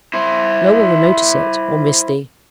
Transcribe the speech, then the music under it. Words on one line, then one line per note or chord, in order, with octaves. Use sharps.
No one will notice it, or miss thee--.
E4 C5